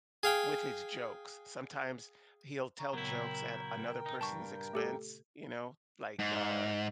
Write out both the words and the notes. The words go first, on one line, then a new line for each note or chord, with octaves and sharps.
with his jokes. Sometimes he'll tell jokes at another person's expense, you know, like, uh,
G#4 F5 G5
A#5 C#6
A#2 C#3 F#3 B3 E4 A#4 G5
D#4
G2 A5 C#6
A3 G4 A4
G#2